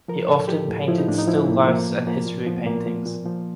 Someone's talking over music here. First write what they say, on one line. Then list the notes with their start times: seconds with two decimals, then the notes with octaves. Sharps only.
He often painted still lifes and history paintings.
0.08 F3 A#4
0.28 A2 A4
0.48 F3 G4
0.68 A2
0.88 F3 E4
0.98 D#4
1.08 A2 D4
1.18 D#4
1.27 F3 E4
1.47 A2 A#3
1.68 F3 A#3
1.88 A#2
2.07 F3 A#3
2.26 A#2
2.46 F3 B3
2.67 A#2 A#3
2.86 F3
3.05 A#2
3.26 F3